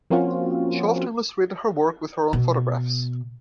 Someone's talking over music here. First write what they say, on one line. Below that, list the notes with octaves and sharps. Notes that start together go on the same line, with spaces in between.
She often illustrated her work with her own photographs.
F3 A#3 C4 C#4 F4 F#4
B2